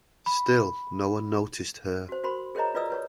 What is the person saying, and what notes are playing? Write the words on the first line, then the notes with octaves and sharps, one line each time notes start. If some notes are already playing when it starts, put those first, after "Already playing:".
Still no one noticed her.
B5
F#4 C5
F#4 A#4 C5 B5 C6
G#4 A#4 C5 C#5 D#5 A#5
F4 B4 D5 D#5 D#6 E6
B4 C#5 C#6